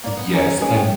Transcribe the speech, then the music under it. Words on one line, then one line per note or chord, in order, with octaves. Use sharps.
Yes. And
A#3 D5
B3
C#4 D#4
G#3 B3 C#4 B4
G4